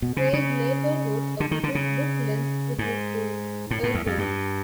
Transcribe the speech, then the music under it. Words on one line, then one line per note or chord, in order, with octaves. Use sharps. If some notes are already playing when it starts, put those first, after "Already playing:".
Craig later wrote a vivid, book-length tribute to Irving.
B2
C#3
C#3
D3
D#3
D3
C#3
G#2
A2
A2
E2
F2
G2